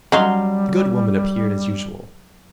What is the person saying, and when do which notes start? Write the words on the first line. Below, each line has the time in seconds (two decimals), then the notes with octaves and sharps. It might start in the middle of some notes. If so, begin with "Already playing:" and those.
The good woman appeared as usual.
0.12 F#3 G3 C#4 D#4 F#4 F5 C6